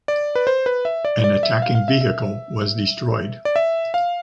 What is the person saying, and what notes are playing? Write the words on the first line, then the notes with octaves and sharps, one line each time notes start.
An attacking vehicle was destroyed.
D5
B4
C5
B4
E5
D5
D5
E5
F5
F5
E5
E5
D5
E5
F5